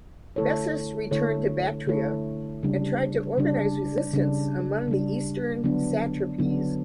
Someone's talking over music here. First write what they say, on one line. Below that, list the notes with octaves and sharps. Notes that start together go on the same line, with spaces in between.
Bessus returned to Bactria and tried to organize resistance among the eastern satrapies.
D3 A3 E4 A4 C#5
D3 A3 E4 A4 C#5
D3 A3 E4 A4 C#5
C#3 G3 D4
C#3 G3 D4
C#3 G3 D4
C#3 G3 D4
D3 F#3 B3 D4
D3 F#3 B3 D4